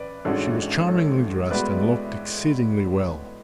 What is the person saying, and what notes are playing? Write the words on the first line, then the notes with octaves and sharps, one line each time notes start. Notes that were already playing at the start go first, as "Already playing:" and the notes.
She was charmingly dressed and looking exceedingly well.
Already playing: A1 B4 D5
A1 G#2 G#3 D4 F#4 A4 C#5
A4 C#5
A2 G#3 B3 F#4 B4 D5